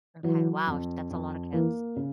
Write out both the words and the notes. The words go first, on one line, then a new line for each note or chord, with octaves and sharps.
Okay. Wow. Sh that's a lotta kids.
E3 F#3
F2
F2
E3 A#3
C#3